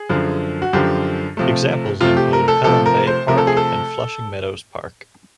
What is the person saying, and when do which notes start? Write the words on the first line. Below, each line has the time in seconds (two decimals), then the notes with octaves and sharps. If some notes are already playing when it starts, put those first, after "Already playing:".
Examples include Pelham Bay Park and Flushing Meadows Park.
Already playing: G#4
0.09 F#2 D3 F3
0.62 F#4
0.73 F#2 D3 F3 G4
1.37 C3 F3 A3
2.01 C3 F3 A3 F4
2.17 G4
2.33 A#4
2.48 A4
2.64 C3 F3 A3 A4
2.86 A#4
3.07 C5
3.28 C3 F3 A3 A#4
3.38 A4
3.47 G#4
3.57 A4